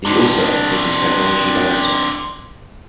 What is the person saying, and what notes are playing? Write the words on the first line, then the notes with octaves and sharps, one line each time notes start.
He also acted as technology director.
C4 D4